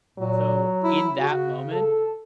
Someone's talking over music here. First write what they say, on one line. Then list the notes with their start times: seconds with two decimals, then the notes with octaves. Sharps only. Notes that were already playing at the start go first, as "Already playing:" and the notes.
So, in that moment,
0.18 A#2 F#3
0.84 E4
1.19 C#3 F#4
1.72 A4